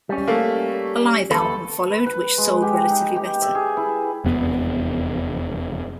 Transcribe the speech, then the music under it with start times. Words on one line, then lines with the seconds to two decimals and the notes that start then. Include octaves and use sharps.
A live album followed which sold relatively better.
0.09 G3 C#4
0.27 A3 A#3
1.31 D#2 A4 B4
1.90 B4
2.06 B4
2.38 G#3
2.62 G4
2.90 D#4
3.16 G4
3.42 E5
3.55 G#4
3.77 E4
4.25 F1 E2 B3